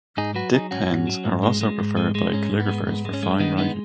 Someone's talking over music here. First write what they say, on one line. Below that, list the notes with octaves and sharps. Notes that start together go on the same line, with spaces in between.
Dip pens are also preferred by calligraphers for fine writing.
G#2 D#4 G#4
F#3 F#4 B4
F#3 D#4 G#4
G#2 C#4 F#4
G#2
F#3
G#2
G#3
G#3
G#2
G#3
G#3
G#2 C#4
G#2
B3
G#3
G#2 B3
G#3
C#4
G#3
D#3 B3 D#4
G#3 B3 D#4